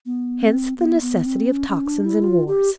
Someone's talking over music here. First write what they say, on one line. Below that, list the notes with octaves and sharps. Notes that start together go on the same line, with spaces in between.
Hence the necessity of tocsins and wars.
B3
C4
B3
B3
C4
C#4
C#4
D4
E4
F4
G4